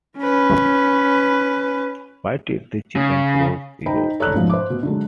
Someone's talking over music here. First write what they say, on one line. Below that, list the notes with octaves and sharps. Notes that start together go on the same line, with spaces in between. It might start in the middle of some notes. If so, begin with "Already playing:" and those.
Why did the chicken cross the road?
C#4 B4
C#3
D#4 C5 G5 A#5 B5
A4 C#5 D5 A#5 B5 F#6
G#2 B2 F3
C5 D6
B2
D3 F#3 G#3